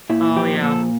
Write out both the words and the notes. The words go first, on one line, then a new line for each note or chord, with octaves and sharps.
Oh, yeah.
A#2 E4
F3 G4
A#2 A4